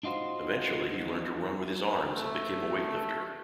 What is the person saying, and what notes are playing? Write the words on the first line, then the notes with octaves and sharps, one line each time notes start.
Eventually he learned to run with his arms and became a weightlifter.
D4 D#4 F4 F#4 C5
A3